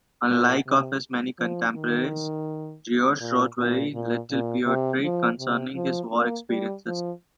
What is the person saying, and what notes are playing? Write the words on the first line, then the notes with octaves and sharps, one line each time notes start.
Unlike many of his contemporaries, Garioch wrote very little poetry concerning his war experiences.
A#2
C3
F3
D#3
A#2
A#2
A#2
A#2
C3
F3
C3
F3
A#3
G3
F3